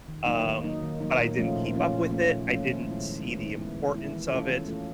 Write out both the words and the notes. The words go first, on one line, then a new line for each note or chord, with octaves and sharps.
um, but I didn't keep up with it, I didn't see the importance of it,
D#3
F#3 A#3 D#4
D#3
F#3 A#3 D#4
D#3
F#3 A#3 D#4
A#2
F3 A3 C#4 F4
A#2
F3 A3 C#4 F4
A#2
F3 A3 C#4 F4
A#2
F3 A3 C#4 F4
D#3
G#3 B3 E4
D#3
G#3 B3 E4
D#3
G#3 B3 E4
D#3
G#3 B3 E4
E3
A3 C#4 F4 A4
E3
A3 C#4 F4 A4